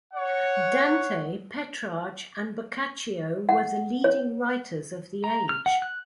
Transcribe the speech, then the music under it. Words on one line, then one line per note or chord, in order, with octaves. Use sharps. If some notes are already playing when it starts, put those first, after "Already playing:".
Dante, Petrarch and Boccaccio were the leading writers of the age.
C#5 F#5
F#5
C#5
A#5
F6
F#5
F#6